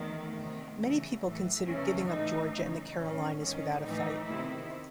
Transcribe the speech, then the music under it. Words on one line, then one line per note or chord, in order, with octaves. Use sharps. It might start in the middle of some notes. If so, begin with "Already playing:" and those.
Many people considered giving up Georgia and the Carolinas without a fight.
Already playing: E2 D#3 A3
E2 C3 D#3
E2 C#3 E3 A3
A2 E3
E2 C#3 E3 C#4
A2 E3 D#4
F#2 C#3 E3 D#4
A2 E3 C#4
G#2 D#3 C#4
A2 E3 D#4
E2 C3 D#3 E4